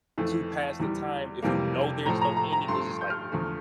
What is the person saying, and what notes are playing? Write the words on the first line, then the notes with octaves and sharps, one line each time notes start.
to pass the time. If you know there's no ending, it's just, like,
F2 E3 A3
E2 E3 G3
F2 C3 E3 G3 A#3
A2 F3 A3 A#5
A#5
A#5
A#5
G2 F3 A3 C6
G6
F6
E2 D3 F3 A3